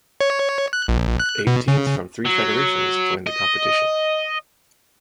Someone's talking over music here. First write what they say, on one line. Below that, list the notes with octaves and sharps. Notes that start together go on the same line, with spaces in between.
Eight teams from three federations joined the competition.
C#5
F#6
A#1
F#6
B2
C#3
F#3
D#5